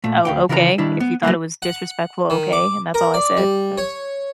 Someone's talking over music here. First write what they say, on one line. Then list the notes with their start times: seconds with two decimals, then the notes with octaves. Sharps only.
"Oh, okay. If you thought it was disrespectful, okay." And that's all I said. I was
0.04 A#2 A3
0.25 D2 F5 G5
0.49 C#3 E3 F4 A#4 E5 A#5
0.78 D#3 G3 D4 E4
1.00 B3
1.23 F#3 G3 A3 A#3
1.62 F#5
2.30 D#3
2.53 D6
2.94 A#4
3.14 D5
3.37 G3
3.78 C#5